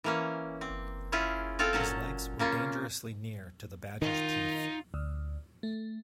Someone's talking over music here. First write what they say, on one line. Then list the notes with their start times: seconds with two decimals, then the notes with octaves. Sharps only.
His legs were dangerously near to the badger's teeth.
0.04 E3 A#3 C#4
0.61 C4
1.12 C#4 E4 F4 G#4
1.59 C4 F4 A4 F5 G5
1.73 A#2 F#3 C#4 A5
2.39 C#3 A#3 C#4 F4
4.02 D#3 D#4 F4
4.94 D2
5.63 A3